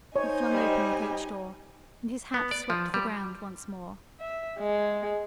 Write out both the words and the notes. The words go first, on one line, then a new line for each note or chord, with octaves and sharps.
He flung open the coach door, and his hat swept the ground once more.
D#4 C5 C#5 D#5 G#5
G3
B3
D5
F3
G3
E5
G#3